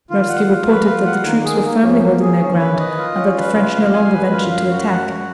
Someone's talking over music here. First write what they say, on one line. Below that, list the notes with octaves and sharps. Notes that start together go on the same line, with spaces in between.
Raevski reported that the troops were firmly holding their ground and that the French no longer ventured to attack.
D#3 F4
F#5
F4
F3 B4
F4
F#5
D#3 A#3
G#4
A#3
F3 C#4
A#3
G#4
D#3 C#4
B4
D#5
F4
C#4
B4
C#3 F4
F5
F2
G#5
F#2 B4
F4
F5
F#4
F#5
F#4